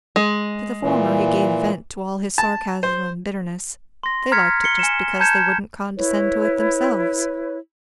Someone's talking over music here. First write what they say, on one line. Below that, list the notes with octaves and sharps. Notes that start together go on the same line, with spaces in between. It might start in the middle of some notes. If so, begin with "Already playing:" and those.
To the former he gave vent to all his sarcasm and bitterness; they liked it just because they would n't condescend to it themselves.
G#3
A#2 E3
A5
C5
C6 A#6
A#5 C6 F6 G#6 B6 C#7
C#7 G7
G#5 C#7 E7
A5 A#5 G6 G#6 C#7 E7
E4 B4 C#5